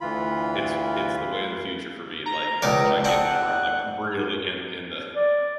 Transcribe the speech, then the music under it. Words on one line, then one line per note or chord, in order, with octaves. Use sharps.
it's it's the way of the future for me, like, that's what I get whenever I'm like, really in, in the,
D2 E3 F4 B5
A#5
C#2 C#3 D5
C4 D4 F#5
D5